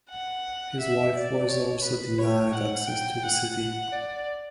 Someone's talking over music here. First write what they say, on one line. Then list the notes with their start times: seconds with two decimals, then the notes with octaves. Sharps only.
His wife was also denied access to the city.
0.10 F#5
0.80 E5
1.15 D5
1.48 C#5
1.83 B4
2.18 C#5
2.53 F#5
2.87 G5
3.23 F#5
3.92 D5